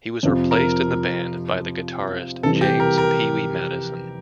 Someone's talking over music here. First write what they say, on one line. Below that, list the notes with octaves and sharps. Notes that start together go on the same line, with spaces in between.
He was replaced in the band by the guitarist James "Pee Wee" Madison.
F2 C3 F3
A#4
C3 E3 G3 A4
G4
A#4
A#4